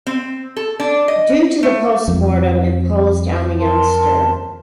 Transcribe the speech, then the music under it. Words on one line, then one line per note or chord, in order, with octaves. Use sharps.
Due to the postmortem imposed on the youngster.
C4
A4
D4
D#5
A3
F2
A#4 A5 C6